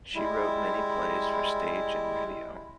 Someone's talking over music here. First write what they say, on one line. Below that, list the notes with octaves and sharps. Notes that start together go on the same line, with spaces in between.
She wrote many plays for stage and radio.
G3 G#3 E4